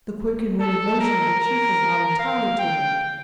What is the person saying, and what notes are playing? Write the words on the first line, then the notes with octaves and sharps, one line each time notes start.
The quick and ready motion of the chief was not entirely too late.
A4
A#4
A#4
F5
G5